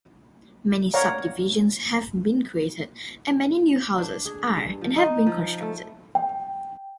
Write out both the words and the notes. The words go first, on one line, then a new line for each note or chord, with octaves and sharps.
Many subdivisions have been created and many new houses are and have been constructed.
C#5 D5 F5 F#5 A#5
D4
G#4
G2
F3
D#4
F3
A3
G5